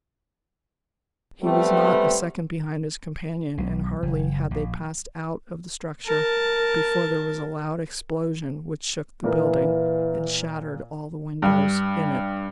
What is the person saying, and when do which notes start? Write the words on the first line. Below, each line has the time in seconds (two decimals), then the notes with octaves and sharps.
He was not a second behind his companion, and hardly had they passed out of the structure before there was a loud explosion which shook the building, and shattered all the windows in it.
1.42 G3 A3 B3 C4
3.58 B1
4.03 F#1
4.51 A#1
6.06 A#4 A5
9.24 A#2 E3 A#4
11.42 G2